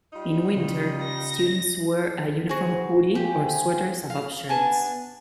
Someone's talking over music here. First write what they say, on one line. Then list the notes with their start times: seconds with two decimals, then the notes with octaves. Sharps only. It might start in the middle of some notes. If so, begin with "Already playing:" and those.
In winter students wear a uniform hoodie or sweaters above shirts.
0.13 G3 D#4 F4
0.57 C#3
1.03 A#6
2.49 E3 C4 F#4 G#4 C5
3.15 G4 C5 F5 G#5
4.10 F5
4.49 B3 D4 G#5 A5